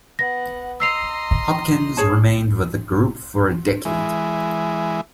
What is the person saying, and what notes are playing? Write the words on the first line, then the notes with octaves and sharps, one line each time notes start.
Hopkins remained with the group for a decade.
B3 F#5 A#6
D#5 A#5 C6 E6 C7 F7
G#4 C#5 A5
E3 G#3